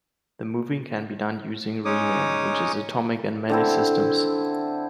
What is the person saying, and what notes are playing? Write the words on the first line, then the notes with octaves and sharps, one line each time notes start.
The moving can be done using rename, which is atomic in many systems.
G#3 C#4 D#4 C#5 D6 D#6
D3 C4 E4